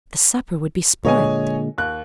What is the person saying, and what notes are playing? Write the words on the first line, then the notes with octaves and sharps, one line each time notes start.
The supper would be spoilt.
A#2 D3 G#3 C#5 D#5 G#5
D#2 F#6